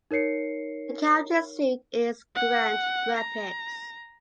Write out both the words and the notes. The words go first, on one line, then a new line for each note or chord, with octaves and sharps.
The county seat is Grand Rapids.
D#4 A#4 C#5 C7 C#7
F#5
A#5